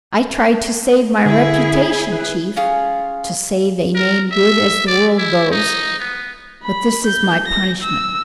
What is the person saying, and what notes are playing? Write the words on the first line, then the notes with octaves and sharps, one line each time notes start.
I tried to save my reputation, Chief--to save a name good as the world goes; but this is my punishment.
D3 E4 G#4
B4
C#4 F4 G#4
A#4
E5
D5
E4
D#4
B3
B5
G6
A#6
E6